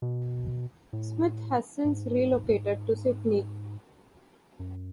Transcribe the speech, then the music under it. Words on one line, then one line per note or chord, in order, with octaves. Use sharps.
Smith has since relocated to Sydney.
B2
A2
G#2
F#2